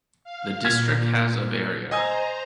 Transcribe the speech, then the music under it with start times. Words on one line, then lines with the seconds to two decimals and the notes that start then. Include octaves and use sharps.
The district has of area.
0.24 F5
0.65 A#2 F6 G#6 B6
1.91 C5 D#5 G#5 A#5 D#6